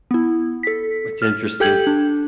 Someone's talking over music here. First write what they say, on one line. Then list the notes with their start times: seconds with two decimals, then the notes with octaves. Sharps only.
It's interesting.
0.11 B3 E4
0.63 A4 B6
1.22 F6
1.60 G4 A4 G5 G6 G#6 F#7
1.87 D4